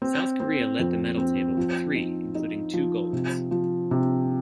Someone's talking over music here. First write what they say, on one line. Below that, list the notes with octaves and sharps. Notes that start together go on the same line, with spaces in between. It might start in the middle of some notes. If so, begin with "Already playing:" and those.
South Korea led the medal table with three, including two golds.
C4
C4
F2
C4
F3
D#4
D#4
F3
C3
F3
C3